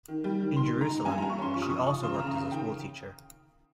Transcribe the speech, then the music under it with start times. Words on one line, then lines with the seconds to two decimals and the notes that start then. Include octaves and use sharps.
In Jerusalem, she also worked as a schoolteacher.
0.08 D#3
0.24 G3
0.40 D#3
0.56 D#3 C6
0.74 G#2
0.81 A#5
0.90 D#4
1.05 G2 G#5
1.18 A#5
1.22 G2
1.30 C#6
1.39 C#4 C6
1.54 F3 C#6
1.62 D#6
1.70 F3 C#6
1.87 F3 C#6
2.03 C#3 C6
2.15 A#5
2.19 C#3
2.27 A#5
2.35 C#3
2.51 D#3 G5